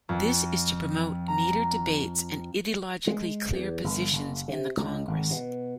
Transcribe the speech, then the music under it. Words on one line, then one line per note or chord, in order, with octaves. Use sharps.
This is to promote neater debates and ideologically clear positions in the Congress.
F2
A#5
G#3
E2
G1
F#1
C3
C#2
G#1
B2